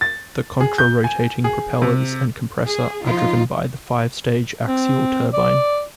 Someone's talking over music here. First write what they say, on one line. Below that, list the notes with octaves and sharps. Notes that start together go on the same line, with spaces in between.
The contra-rotating propellers and compressor are driven by the five-stage axial turbine.
A6
G#4
G6
G#5
G#4
C3
G#4
F3 D#4 F4
C4
D5